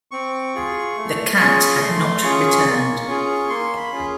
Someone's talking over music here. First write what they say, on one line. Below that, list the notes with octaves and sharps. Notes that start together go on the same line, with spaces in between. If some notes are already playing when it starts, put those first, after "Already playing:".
The cat had not returned.
C4 C#6
F4 G#4
A3
C#4 F4 G#4
A3 C6
C#4 F4 G#4 C#6
A#3
C#4 F4 G#4
A#3 C6
B5
C#4 F4 G#4